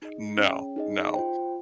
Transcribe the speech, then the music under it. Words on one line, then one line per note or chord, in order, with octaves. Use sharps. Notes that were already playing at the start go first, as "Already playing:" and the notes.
No, no,
D#4 G#4 D#5
C#4 G#4 C#5 G5
D#4 G#4 D#5
F4 C5 G5